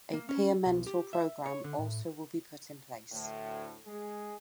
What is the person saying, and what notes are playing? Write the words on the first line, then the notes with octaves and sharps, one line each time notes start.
A peer mentor program also will be put in place.
A#3
C#4
B1
G4
E5
C#5
D3
A2
D2 A2
G#3 G#4